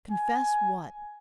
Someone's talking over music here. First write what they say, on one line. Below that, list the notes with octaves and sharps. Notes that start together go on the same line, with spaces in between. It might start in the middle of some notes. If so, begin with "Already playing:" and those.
"Confess what?"
G#5